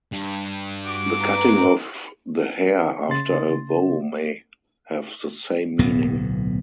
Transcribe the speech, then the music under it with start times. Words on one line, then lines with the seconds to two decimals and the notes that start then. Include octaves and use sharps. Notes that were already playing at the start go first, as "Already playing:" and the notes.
The cutting of the hair after a vow may have the same meaning.
0.12 G2
0.86 F#4 D6
1.21 B4 A#5
3.09 C#3 C6 A6
5.79 D1 B1 A2 B3